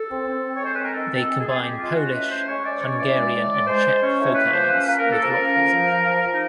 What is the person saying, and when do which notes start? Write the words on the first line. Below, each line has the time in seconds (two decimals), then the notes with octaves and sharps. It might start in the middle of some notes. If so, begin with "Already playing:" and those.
They combine Polish, Hungarian and Czech folk elements with rock music.
Already playing: A4
0.08 C4
0.26 C4
0.43 C4
0.57 G#3 C#5
0.66 C5
0.76 C4 B4
0.85 A#4
0.94 D#3 A4
1.12 C4 A4
1.28 G#3
1.40 G#4
1.46 C4
1.51 G#4
1.62 G#3 G4
1.79 G#3 F4
1.96 C#4 F#4
2.13 A2 B4
2.31 C#4 C5
2.48 G#3 C#5
2.65 G#3 D5
2.75 C5
2.82 C#4 C#5
2.99 E3 D5
3.16 G#3
3.33 A2
3.51 G#3
3.63 B4
3.67 G#3 C5
3.85 G#3
4.01 C#4 C#5
4.19 A2
4.35 A#3 B4
4.53 F3 C5
4.70 C#4 B4
4.87 A#3 B4
4.99 A#3 A#4
5.12 A4
5.21 F3 A#4
5.39 C#4
5.55 F3
5.72 F3
5.90 F3
6.06 F3
6.23 F3
6.31 D#4